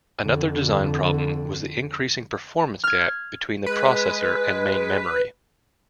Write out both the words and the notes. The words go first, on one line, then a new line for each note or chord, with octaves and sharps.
Another design problem was the increasing performance gap between the processor and main memory.
F2 D3
F6 G#6
G#3 B4